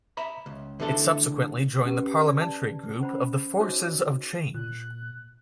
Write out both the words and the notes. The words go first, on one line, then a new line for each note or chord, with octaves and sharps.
It subsequently joined the Parliamentary Group of the Forces of Change.
E5 A#5 B5
C#2
D3 E3 A3 D4 A4
C#4 G4 B4
D5
A5
C#4 C5 B5
D#4 F#4 C5 C#5 D#5 D6
A#2 F#6